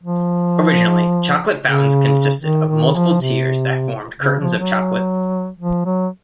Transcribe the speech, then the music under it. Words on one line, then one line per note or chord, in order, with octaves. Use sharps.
Originally, chocolate fountains consisted of multiple tiers that formed curtains of chocolate.
F3
C#3
D#3
D#3
F3
C3
C#3
F3
F#3
F3
F#3